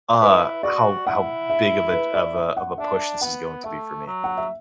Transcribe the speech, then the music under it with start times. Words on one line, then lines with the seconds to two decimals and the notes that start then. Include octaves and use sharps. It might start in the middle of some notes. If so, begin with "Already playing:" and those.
uh, how how big of a j of a of a push this is going to be for me.
0.21 E4 B4
0.63 F#4 D5
1.07 E4 F#5
1.50 E5
1.92 B4
2.14 D5
2.35 E5
2.57 F#5
2.78 D4 E5
3.21 B3 F#5
3.64 A3 E5
4.07 F#3
4.24 F#5
4.37 E5